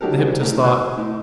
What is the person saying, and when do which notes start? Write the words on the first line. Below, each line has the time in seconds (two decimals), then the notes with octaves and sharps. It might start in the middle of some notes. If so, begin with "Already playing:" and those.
The hypnotist thought.
0.01 D3 F#3 D#4 G4 A4 A#4
0.18 G3 C4 D#4 F#4 G#4
0.40 A2 F#4 A#4
0.63 F#5 G#5 C6 C#6 E6 F#6
0.97 A2